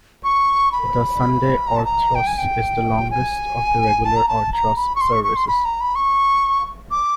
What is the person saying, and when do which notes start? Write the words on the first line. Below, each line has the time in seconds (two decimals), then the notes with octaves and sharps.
The Sunday orthros is the longest of the regular orthros services.
0.24 C#6
0.72 B5
1.67 A#5
1.76 A5
1.85 A#5
2.15 G5
2.27 G#5
2.38 G5
3.11 G#5
4.05 A5
4.17 A#5
4.28 A5
4.53 A#5
4.76 B5
4.96 C#6
5.01 C6
5.12 C#6
5.24 C#6
5.36 C6
5.48 B5
5.65 A#5
5.81 B5
5.95 C#6
6.91 D6